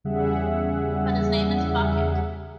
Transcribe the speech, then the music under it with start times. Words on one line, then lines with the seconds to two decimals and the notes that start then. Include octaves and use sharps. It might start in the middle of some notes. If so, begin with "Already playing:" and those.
But his name is Bucket.
0.04 E2 C#3 G3 G#4 E5 F#5